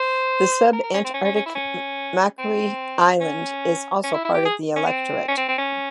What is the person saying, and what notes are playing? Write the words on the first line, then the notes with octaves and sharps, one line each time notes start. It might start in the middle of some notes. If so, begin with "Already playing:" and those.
The subantarctic Macquarie Island is also part of the electorate.
Already playing: C5
A#4
A#4
C#4
C4
C#4
C#4
C#4
E4
C#4
C4
C#4
C#4
E4
E4
G4
G#4
C#4
C4
C#4
C4
C4
C#4